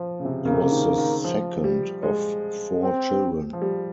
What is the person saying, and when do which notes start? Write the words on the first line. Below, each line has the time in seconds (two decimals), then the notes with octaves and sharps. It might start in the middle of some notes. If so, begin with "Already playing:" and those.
He was the second of four children.
Already playing: F3
0.20 C#3
0.25 C3
0.44 C#3 A#3
0.52 C3
0.61 C#3
0.71 D#3
0.98 D#3
1.24 F3
1.64 G3
2.03 G#3
2.82 C4
3.53 F3
3.62 G3